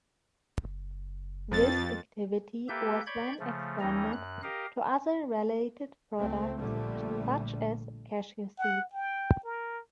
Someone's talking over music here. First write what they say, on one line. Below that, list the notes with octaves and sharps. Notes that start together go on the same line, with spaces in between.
This activity was then expanded to other related products, such as cashew seed.
F#1
F2 A6
A#3 G4 A4 B4 E5 G6
C#5 D5 B5 G6 G#6
C#3 F3 A3
D#2 E3 G3 C#4 D#4 A#5
F#2 F#6
G4 A#4 D#5 F5
C#2 A3 C4
A#1 A#2 D3 G3 A3
F#5
G5
A#4